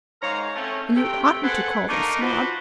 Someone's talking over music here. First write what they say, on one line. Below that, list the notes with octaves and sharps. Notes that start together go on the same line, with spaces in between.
And you oughtn't to call them snobs.
G#2 G#3 A#4 C#5 F5 A#5
A3 C4 C#4
C3 A3 G5
G#4 A4 B4 C5 F#5
A3 A#3 D4 D#4 A#4
F3 F#4 B4 C5